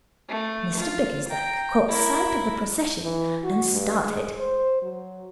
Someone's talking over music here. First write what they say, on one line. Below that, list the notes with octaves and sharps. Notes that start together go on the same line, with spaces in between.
Mr Bickersdyke caught sight of the procession, and started.
A3
F4
G5 A#5
E4 A#4
E3
F#4
G2
G#3
C5
F#3